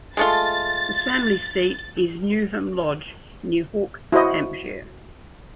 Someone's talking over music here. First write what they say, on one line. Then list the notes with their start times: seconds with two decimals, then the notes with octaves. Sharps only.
The family seat is Newham Lodge, near Hook, Hampshire.
0.17 G#3 A3 F4 A6
4.12 E4 F#4 C5 D#5